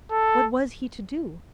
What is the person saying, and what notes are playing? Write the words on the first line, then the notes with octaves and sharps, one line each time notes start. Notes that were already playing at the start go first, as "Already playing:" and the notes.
What was he to do?
A4